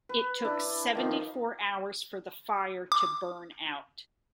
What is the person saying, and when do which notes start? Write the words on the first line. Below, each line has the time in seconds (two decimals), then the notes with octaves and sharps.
It took seventy-four hours for the fire to burn out.
0.09 B4
0.45 D4 E4
0.95 D#3 F3 D#4
2.92 D6